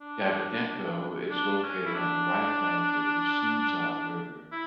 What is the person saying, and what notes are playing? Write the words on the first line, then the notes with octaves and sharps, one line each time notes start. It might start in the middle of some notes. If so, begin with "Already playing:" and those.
Davydenko is located on the right bank of the Sunzha River.
D4
D4
D4
C#4
E4
D4
E4